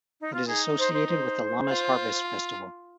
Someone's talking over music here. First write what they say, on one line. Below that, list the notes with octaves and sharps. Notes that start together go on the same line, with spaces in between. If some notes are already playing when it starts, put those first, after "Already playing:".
It is associated with the Lammas harvest festival.
D#4
F4
D#4 G#4
C5
C5
C5
F4